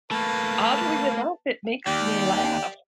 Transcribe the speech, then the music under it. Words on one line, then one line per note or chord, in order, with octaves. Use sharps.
oddly enough, it makes me laugh
A3 A#3 B4 A5
D#2 G4 D5 G5